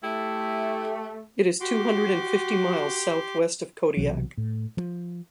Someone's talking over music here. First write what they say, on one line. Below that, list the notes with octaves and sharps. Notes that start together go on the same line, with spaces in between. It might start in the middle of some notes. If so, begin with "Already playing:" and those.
It is two hundred and fifty miles southwest of Kodiak.
A3 E4 G4
F#4 G4 C6 D6
B1 C3 E3 F#3
A2
F3